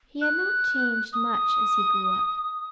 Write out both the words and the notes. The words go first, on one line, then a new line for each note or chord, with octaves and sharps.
He had not changed much as he grew up.
F#6
D#6